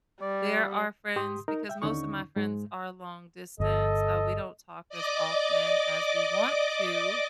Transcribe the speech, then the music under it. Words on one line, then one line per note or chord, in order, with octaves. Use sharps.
there are friends because most of my friends are long distance. Uh, we don't talk as often as we want to.
G3 D5
G#2 G4 C6 D#6
D#4 A#4
E5 G5
D#2 D3 C#4 D#4 C#6
G#2 G#3
G1 A4 D#5
D5 D#5 D6